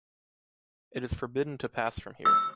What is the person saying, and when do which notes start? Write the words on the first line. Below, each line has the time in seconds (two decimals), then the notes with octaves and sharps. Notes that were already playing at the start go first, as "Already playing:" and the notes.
It is forbidden to pass from here.
2.25 E6